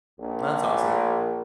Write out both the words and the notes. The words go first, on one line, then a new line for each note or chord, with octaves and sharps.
That's awesome.
A#1